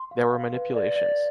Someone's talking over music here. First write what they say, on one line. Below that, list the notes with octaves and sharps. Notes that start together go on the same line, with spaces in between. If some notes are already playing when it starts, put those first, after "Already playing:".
There were manipulations.
Already playing: C6
F5
F5
B4
D5
D5